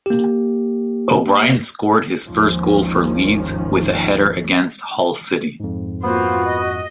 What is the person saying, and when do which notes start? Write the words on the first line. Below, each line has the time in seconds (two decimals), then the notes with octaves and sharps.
O'Brien scored his first goal for Leeds with a header against Hull City.
0.06 A#3 G4
2.26 G#1 D#2 D#3 F3 C#4
5.60 F2 G#2
6.03 A#3 B3 F4 F#4 C5
6.45 D#5